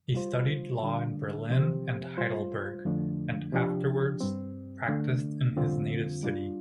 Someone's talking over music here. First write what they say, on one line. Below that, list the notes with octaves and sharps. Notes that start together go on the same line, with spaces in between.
He studied law in Berlin and Heidelberg, and afterwards practised in his native city.
G3 F4 C5
D3 G3 D4
C3 F3 C4 G4 C5
G3 F4 C5
F2 D3 F3 A3 D4
C3 F3 D4 G4
G2 G3 C4
D3 A3 D4
F2 D3 G3 C4 F4
G3 D4 F4